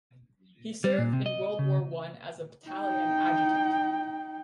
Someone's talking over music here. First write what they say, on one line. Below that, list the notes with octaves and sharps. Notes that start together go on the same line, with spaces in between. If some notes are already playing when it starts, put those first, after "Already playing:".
He served in World War One as a battalion adjutant.
G3
A#2
C3
D#5
C#3
D#4 G5